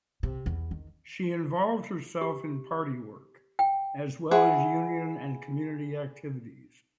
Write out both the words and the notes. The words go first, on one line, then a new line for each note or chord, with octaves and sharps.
She involved herself in party work, as well as union and community activities.
C3
E2
D#3
G4
G5
E4 G#4 F#5 C#6